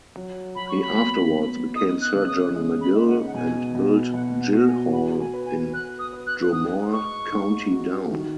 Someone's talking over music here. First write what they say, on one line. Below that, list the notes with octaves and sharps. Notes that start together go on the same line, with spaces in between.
He afterwards became Sir John Magill and built Gill Hall in Dromore, County Down.
F#3
F#3 B5
C#6
B5
B3
B3
D#4 D#6
F#6
C#3
D#6
G#3
B5
D#4
F#5
F#5
B2 G#5
B2
B2 F#5
F#5
F#4
G#5
F#4 B5
G#5
B4
G#5
B4 F#6
D#6
B4
F#6
G#2 D#6
D#4 C#6
G#2
F#4
D#3